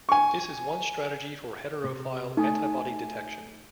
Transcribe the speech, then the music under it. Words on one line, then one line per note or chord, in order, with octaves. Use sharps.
This is one strategy for heterophile antibody detection.
G#5 C#6
C3
A3 D#4 G#5 D#6